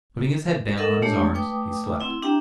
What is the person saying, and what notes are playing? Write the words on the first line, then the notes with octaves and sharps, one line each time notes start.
Putting his head down on his arms, he slept.
A4 A#4 D#5 E5 F#5
G#3 A3 D4 G4 C#5
A3 B4 G5 D6 D#6
C4 E4 F#5
D4 G4 E5 G5 A#5